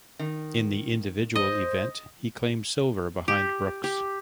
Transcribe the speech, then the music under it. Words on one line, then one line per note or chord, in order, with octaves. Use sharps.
In the individual event, he claimed silver behind Brooks.
D#3
C5 D#5
G4
G4